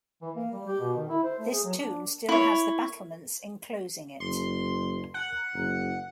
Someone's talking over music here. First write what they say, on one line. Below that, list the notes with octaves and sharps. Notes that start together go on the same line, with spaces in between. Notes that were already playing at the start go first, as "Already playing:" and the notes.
This tomb still has the battlements enclosing it.
E3
A#3
G3
G4
B2
D#3
E4
C5
A3
G#4
F#3
D4
E4 C#5
F#1 C6
F#5
F#1